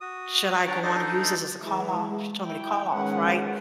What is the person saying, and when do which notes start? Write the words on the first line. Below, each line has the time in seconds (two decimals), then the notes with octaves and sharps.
"Should I go on and use this as a call off?" She told me to call off, right?
0.01 F#4 D#6
0.67 D4 C#5 D5 F#5 G5 A#5
0.83 D4 D#4 A4 C5 D5 D#5
1.61 E3 G#3 E4
2.46 E4 G5
2.89 D#3 G#3 C#4 B4 F#5